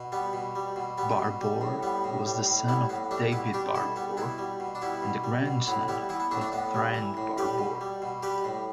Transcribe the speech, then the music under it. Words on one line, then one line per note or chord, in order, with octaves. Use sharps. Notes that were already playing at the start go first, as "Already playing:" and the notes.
Barbour was the son of David Barbour and the grandson of Friend Barbour.
Already playing: B2
G3 B3
B2
G3
B2
G3 B3
B2
G3
A2
G3 B3
A2
G3
A2
G3 B3 E4
A2 B3
G3 A3 D4
B2 B3 E4
G3 D4 G4
B2 E4 A4
G3 B3
B2 B3 E4
G3
B2
D4
G3 B3 E4
B2
G3
B2
A2 B3 E4
G3 B3 E4
E3 B3 E4
B3
A2 A3 D4
A3 D4
A2 B3
G3
E3
A2
G3 G4 B4
B2
G3
B2
G3 G4 B4
A2